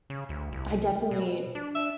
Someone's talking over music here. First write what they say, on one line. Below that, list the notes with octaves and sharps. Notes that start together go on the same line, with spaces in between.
I definitely,
C#3
D2
C2
B2
D4
E5